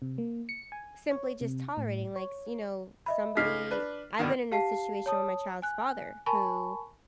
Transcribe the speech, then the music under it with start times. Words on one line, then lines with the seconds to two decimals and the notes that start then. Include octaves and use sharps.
simply just tolerating, like, s you know, somebody I've been in a situation with my child's father who
0.02 C3
0.18 A#3
0.49 C#7
0.72 G#5
1.11 C#5
1.41 C3
1.77 A2
2.16 C#5
3.06 D#5 E5 B5
3.37 C#2 G#3 D#4 F6 B6 C7
3.71 D4 B4
4.19 B2 D3 D#3
4.52 G4 F5 A5 C7
5.06 C#5 A5 D#6
5.62 G#5 F#6
6.26 A#4 G#5 A5 B5 C#6